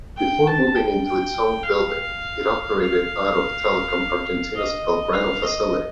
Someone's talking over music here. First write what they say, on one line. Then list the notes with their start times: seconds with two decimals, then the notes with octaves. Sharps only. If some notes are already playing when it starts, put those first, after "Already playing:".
Before moving into its own building it operated out of Telecom Argentina's Belgrano facility.
0.17 G5
0.47 A5
0.75 G5
1.05 G5
1.63 F5
2.81 F5
4.56 D#5
5.13 F5
5.43 D#5